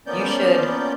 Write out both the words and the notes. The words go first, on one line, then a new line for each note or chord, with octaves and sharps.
You should
F3 A#3 B3 C#4 D5 G6